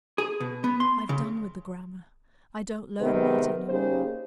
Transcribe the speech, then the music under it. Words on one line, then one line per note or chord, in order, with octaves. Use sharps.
"I've done with the grammar; I don't learn that any more."
G#4
B2
B3
C6
C#3
C3 D#3 G#3 B3
C#3 A#3 D#4 G4 G#4 C5